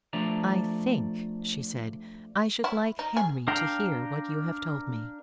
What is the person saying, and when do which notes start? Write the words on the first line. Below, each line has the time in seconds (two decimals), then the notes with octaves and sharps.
"I think," she said, "I should like Henry to hear what you have told me."
0.13 F3 A3 D4 D5 A#5
2.64 E4
2.99 D#4
3.17 G#4
3.48 D4 A#4 F5 G5 A#5